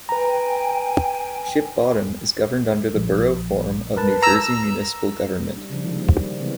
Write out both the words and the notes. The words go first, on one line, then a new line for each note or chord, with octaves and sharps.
Ship Bottom is governed under the Borough form of New Jersey municipal government.
B4 G5 G#5 A#5
A#1
A#4 B4 A5
A#5 E6
G3 D4
C#3 F3
C3 D#3 F3 G#3
G3 A#3
A#3
C#3 E3 G#3 B3 C4 E4